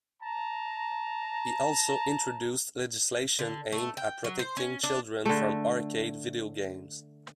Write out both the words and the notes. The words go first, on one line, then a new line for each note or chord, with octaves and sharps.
He also introduced legislation aimed at protecting children from arcade video games.
A5 A#5
D3
A3
G5
F#3
C5
C#4
D4
D3 A3